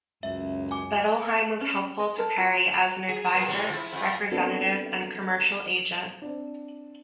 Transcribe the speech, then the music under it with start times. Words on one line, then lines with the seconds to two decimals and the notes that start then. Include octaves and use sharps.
Bettelheim was helpful to Perry as an advisor, representative and commercial agent.
0.23 C#2 F#2 E5
0.71 G#5 D6
1.61 C#4
1.99 D#5
2.18 A4 A#4
2.38 F4
3.09 G#4
3.34 A#2 B3
3.48 A2 C3 E3
3.69 F3 E4
3.93 F2
4.31 B3 C4 D4 F#4 A4 A#4
6.22 C4 D4